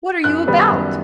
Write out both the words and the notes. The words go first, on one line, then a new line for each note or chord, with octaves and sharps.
What are you about?'
F#2 F#6
D#3 G3 B3
F#2